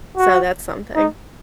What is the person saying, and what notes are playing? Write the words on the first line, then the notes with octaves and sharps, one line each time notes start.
So, that's something.
F#4
D#4